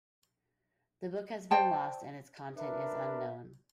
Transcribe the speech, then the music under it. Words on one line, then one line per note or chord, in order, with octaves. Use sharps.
The book has been lost and its content is unknown.
C5 D5 G5 A5
D4 A#4 B4 E5